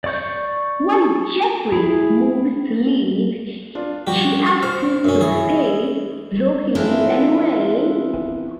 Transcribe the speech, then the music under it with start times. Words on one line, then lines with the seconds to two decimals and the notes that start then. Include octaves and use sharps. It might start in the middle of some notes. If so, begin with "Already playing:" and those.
When Jeffrey moves to leave, she asks him to stay, though he leaves anyway.
0.04 D5 C#6 G6
1.72 E4 G#4
3.75 D4 F4
4.07 F3 G3 F#4 G4
4.63 C5 F6
5.04 F#2 C#4
5.21 E3 G#4
6.75 E3 B3 C4 D4 E4 F4